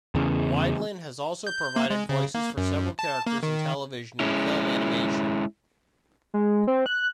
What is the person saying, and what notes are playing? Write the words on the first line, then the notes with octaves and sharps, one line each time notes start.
Wiedlin has also provided voices for several characters in television and film animation.
E2 C#3
G6
A#3
G#3
C#3
A#3
F#2
A5
A#3
D#3
G#3 C#4 E4
G#3
C4
F#6